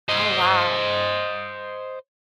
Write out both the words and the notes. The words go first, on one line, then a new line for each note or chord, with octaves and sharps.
Oh, wow.
C5 D#5